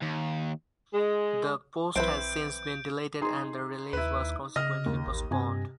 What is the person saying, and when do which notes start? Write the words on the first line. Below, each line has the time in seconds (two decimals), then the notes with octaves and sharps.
The post has since been deleted and the release was consequently postponed.
0.02 D#2
0.94 G#3
1.96 B1 E3 C4 E4 B4 G6 D7
3.21 D#4 G#4 C6
3.93 D#2 E4 B4
4.56 C#3 D#5 F6 A#6
4.86 D#2
5.07 A1
5.31 G2 C3 G#5